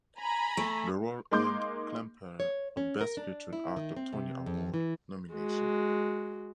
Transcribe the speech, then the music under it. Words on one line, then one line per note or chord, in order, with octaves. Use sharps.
The role earned Klemperer a Best Featured Actor Tony Award nomination.
G#5 A#5 B5
A3
G#3 A#3 D#4 C6 D6 G6
C#5
C#4
A#4
D4
E4
D#3
C4
C3
F2
E3
G#3 F#4